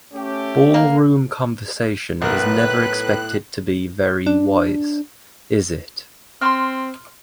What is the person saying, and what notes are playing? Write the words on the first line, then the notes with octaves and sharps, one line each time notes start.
Ball-room conversation is never expected to be very wise, is it?
A3 C#4 G4
A#3
B1 A2 A#4 B4 F#6
D4
C4 C6 C#6 F6